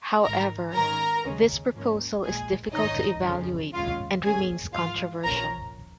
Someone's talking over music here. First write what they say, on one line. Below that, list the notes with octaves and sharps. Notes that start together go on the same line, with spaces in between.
However, this proposal is difficult to evaluate, and remains controversial.
G#1 G#2 D#3 A#4 A#5
G#2 D#3 C#4 A#4 A#5
D#2 C#3 G#3 C#4
G#2 F3 A#3 C#4
A#1 A#2 G#3 G#4 G#5
G#2 D#3 C#4 D#4 D#5
F2 C#3 F3 C#4
D#2 C#3 G#3 C#4 F4 F5
D#2 D#3 A#3 C#4 G#4 G#5
G#1 G#2 F3 F4 F5
A#1 A#2 F3 C#4 A#4 A#5